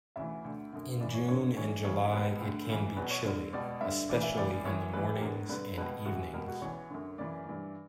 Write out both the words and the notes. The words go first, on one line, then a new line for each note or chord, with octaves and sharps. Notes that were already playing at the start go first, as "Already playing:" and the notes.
In June and July it can be chilly, especially in the mornings and evenings.
D2 C#3 E3 E5
D2 D3
F#2 D3
F#2 C#3 E3 D5
C#5
F#2 D3 C#5
G2 E3 C#5
F#2 C#3 E3 C#5
C#2 B2 B4
D2 D3
D2 C#3 E3
E2 B2 B4
C#5
G2 D3
C#2 B2 D5
G2 D3 E5
D2 C#3 E3 D5
E5
C#2 C#3 E3 D5
F#2 E3 C#5
F#2 E3 B4
G4
E2 D3 A#4
G2 D3 B4
C#2 B2 B4
F#2 C#3 E3 F#4
C#2 B2 A#4
F#4
E2 C#3 E3 C#5
F#2 D3
F#2 C#3 E3 D5
G2 E3